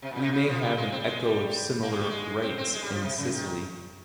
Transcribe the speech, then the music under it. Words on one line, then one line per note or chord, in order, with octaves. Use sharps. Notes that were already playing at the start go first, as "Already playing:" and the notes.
We may have an echo of similar rites in Sicily.
C3
A#2
C#3
C3
C#3
F3
G3
G#3
C4
G3
G#3
G3
A#3
G#3
G3
G#3
C4
C4
G#3
G3
F3
C3
C#3
D#3